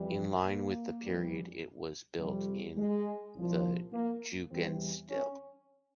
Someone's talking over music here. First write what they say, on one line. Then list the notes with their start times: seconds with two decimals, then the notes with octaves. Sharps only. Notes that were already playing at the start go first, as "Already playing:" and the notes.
In line with the period it was built in the Jugendstil.
Already playing: F2 E3 G3
0.44 A#3
1.02 F2 E3 G3
2.19 F2 C3 G3
2.77 G#3
3.35 C2 A#2 F3
3.92 A#3
4.51 E2 E3 G3 C4
5.09 C#4